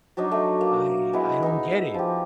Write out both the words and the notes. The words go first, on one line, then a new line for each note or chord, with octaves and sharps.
I I don't get it.
F#3 D4 D#4 D#5
A3
A#3
G#3 B3 E4
D#4 E4
F3 G4